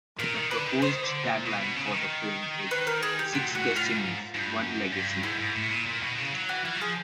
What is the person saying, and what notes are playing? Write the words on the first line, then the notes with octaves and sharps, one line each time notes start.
The proposed tagline for the film is "Six Destinies - One Legacy".
A#2 A#4
D#3
D3 B4
D#3
D#3 C5
D3
A#2
B2
B2
C#3
D#3
B4
A#4
G#4
G4
A#2 F#4
A2 F#4
G#2
A2 F4
G#2
G#2
G2
F#2
G2
G#2 E4
G#2
A2
A#2
A#2
B2
C#3
F#3
E3 F#4
E3 F4
F#3
F3 G#4